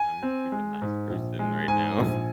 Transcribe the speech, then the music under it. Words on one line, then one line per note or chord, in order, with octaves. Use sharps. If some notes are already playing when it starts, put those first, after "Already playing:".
I'm a freaking nice person right now,
Already playing: G#5
C4
G#3
G#2
A#1
G#3
G#2 G#5
A#1